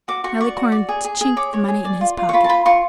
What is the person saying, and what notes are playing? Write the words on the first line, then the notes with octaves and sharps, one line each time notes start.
Malicorne chinked the money in his pocket.
F#4 D6
F#4 C#6
D5 C#6
F#4
D5
G#4
G#4
G#4
C#5 D6
C#5
G#4
D5
F4
F4
C#6
F4 B5
A5
F4 B5
F4 C#6